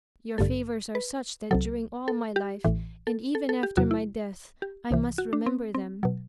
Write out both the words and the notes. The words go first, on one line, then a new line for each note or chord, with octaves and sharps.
Your favours are such that during all my life, and even after my death, I must remember them.
A1 G2 D3 A4
B4
C2 C3 F#3 A4
A4
G4
A1 A2 E3
A4
A4
A4
G4
E2 C3 F#3 F#4
E4
G4
C2 C3 E3
F#4
D4
C4
C4
B2 F#3